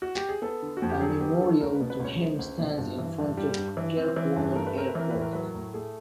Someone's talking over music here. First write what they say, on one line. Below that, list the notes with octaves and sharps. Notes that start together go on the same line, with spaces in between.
A memorial to him stands in front of Kirkwall Airport.
F#4
G4
G#4
B3 A4
D3
F#4
F2
G4
F#3 G#4
B3 G4
D3 A4
C#2 A#4
B4
B2
B4
C#2 C#5
G#3 C5
C#2
B2
G2
E3
G2
G3
G2
E3
C4
E3
G2
A3 A#4
B4
C4 A#4
B4
E3 A#4
A2 B4
A#4
F#3 B4
A#4
A2
A3 G#4